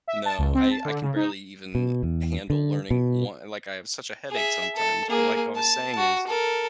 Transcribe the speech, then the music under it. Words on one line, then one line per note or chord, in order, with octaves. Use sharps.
No, I I can barely even handle learning one like, I have such a headache sometimes, but, like I was saying is
E5
A5
C#2
C4
A5
D3
C#3
D#4
B2
E2
D3
B2
G#4 E5
A4
A#3 G#4
A5
F#4
A4 A#4